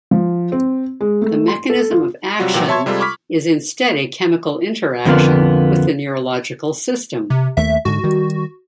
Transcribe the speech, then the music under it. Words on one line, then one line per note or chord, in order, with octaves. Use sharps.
The mechanism of action is instead a chemical interaction with the neurological system.
F3
C4
G#3
A3
C6
A4
F4
C3 F#3 G3 F4 F#4
A#2 E3 F#3 F#4 G5
C#5 E5 A5 C6 C#6 G#6
C3 G3 G#3 F4 A4
B5 C#6 D6 F6 B6
F2 D3 F3 A#3 B3
C3
D#2 A3 E5
G#2 D3 F#4
D#3 G3